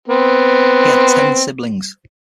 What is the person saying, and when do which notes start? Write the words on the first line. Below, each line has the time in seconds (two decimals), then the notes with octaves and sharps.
He had ten siblings.
0.08 B3 C4